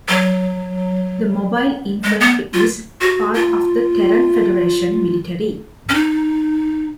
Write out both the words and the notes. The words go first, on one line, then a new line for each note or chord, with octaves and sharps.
The Mobile Infantry is part of the Terran Federation military.
F#3
G#3
B3
F4
F#4
F4
C#4
D#4